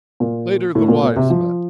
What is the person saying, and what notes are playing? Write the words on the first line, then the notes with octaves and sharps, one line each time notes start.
Later the wives met.
A#2
A2
A#2
A#2
C3
F3